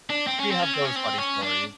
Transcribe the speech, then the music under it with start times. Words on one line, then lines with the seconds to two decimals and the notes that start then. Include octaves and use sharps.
we have those funny stories.
0.10 D4
0.27 C4
0.40 C#4
0.51 C4
0.62 C#4
0.74 C4
0.85 C#4
0.96 C4
1.18 C#4
1.43 D4